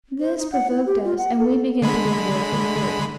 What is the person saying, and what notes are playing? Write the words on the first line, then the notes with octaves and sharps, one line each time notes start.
This provoked us, and we began to give word for word.
C5
D#4
F#5
E4
G4
F4
F#5
A4
D3 G#3 B5